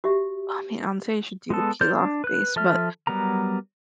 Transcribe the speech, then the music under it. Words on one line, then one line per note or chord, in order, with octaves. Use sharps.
I mean, I'm say you should do the peel off base, but
F#4 G4 E5
G#3 B3 A4
A#4 C5 D5 G6
D4
B4 F#6
F3 A4 E5 F6
F#3 G3 B3 A#4 A#5